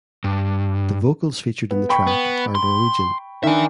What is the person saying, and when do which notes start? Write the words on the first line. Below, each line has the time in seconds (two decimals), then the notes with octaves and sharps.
The vocals featured in the track are Norwegian.
0.24 G2
1.71 B3
1.89 G5 B5 C#6
2.07 B3
2.55 C6
3.44 D#3 D4 E5 G#5